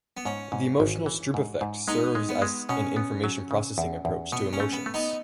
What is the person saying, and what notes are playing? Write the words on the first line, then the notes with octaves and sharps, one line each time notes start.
The emotional Stroop effect serves as an information processing approach to emotions.
B3
G#2 C#4
G#2
G#1
E3
G#2
G#2
G#3 B3 D#4
G#3
B3
G#3
B2 C#4
B3
F#3
C#3
E2
E2
B2 B3
C#4
A3
B3
A3
B3 D#4